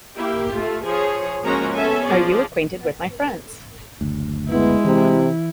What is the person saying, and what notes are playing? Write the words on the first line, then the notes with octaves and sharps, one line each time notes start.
Are you acquainted with my friends?
A#3 E4 G4
A3 F4
F3 G#4 C#5
F3 G#3 A#3 C#4 F#4 A#5
B3 C#4 A4 E5 G#5
F3 G#4 D5
F#1 D2
G#3 B3 E4
C3 E3